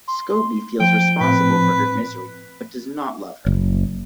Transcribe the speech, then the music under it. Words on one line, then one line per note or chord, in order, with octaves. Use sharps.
Scobie feels responsible for her misery, but does not love her.
C6
F3 G5
A2 C4 B4
F#1